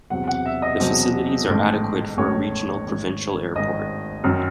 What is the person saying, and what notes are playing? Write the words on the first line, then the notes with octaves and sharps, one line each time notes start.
The facilities are adequate for a regional provincial airport.
E1 E2 C3 F#3 C4 F#5
F#5
E5
D#5
E1 E2 C3 F#3 C4
A1 G#2 D#3 A3
A1 G#2 D#3 A3 C#5
G#1 G#2 D#3
G#1 G#2 D#3 D#5
F#2 D#3 F#3